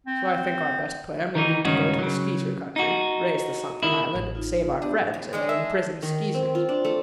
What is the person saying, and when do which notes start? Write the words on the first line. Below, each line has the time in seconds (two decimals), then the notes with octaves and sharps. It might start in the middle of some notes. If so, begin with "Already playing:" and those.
So I think our best plan will be to go to the Skeezer Country, raise the sunken island and save our friends and the imprisoned Skeezers.
0.07 C4
1.35 D#3 E3 D#4
1.65 C#2 G2 D#3 C#4 D#4 F#4
1.99 C#3 F#3
2.76 D#4 F#4
3.83 D#3 E4
4.15 A1
4.35 D#4 F4
4.82 B3 D4 G4
5.14 A2
5.33 G#3 C4 C#5 D5
5.49 A4 E5
6.02 D#3
6.34 C4
6.55 F4
6.69 D4
6.85 A3